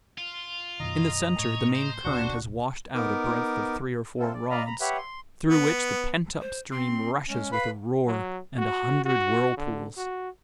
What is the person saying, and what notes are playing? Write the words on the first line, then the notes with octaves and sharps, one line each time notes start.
In the centre, the main current has washed out a breadth of three or four rods, through which the pent-up stream rushes with a roar and a hundred whirlpools.
F4
F#2 B2 D#3 D#5 A#5
A2 C#5
C5
D1 B2 D4 F#4 C#6
B3 D#4 A#4 D6
C4 E4 F4 A4
D5
D5 D#5 F5 A#5 B5
A#5 B5
G4 B4 C#5 E5 F#5
C6
B3
C5
C4 C6
G#3 C#4
B4 F5 B5
F#3
F#4
F#4
D3
F#4